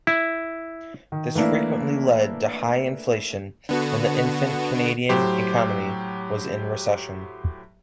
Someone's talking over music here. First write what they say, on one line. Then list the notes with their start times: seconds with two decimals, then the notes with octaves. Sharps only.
This frequently led to high inflation when the infant Canadian economy was in recession.
0.07 E4
1.12 D#3
1.35 E3 A3 A#3 D4 E4
3.69 D3 B3 F#4
5.09 A2 F#3 G4 C5